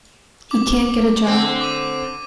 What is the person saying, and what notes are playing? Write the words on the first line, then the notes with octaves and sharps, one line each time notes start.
He can’t get a job.
D6
D3 C4
D6 D#7